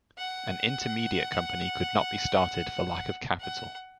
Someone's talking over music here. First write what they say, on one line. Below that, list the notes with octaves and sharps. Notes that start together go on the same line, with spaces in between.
An intermediate company could not be started for lack of capital.
F#5
F#5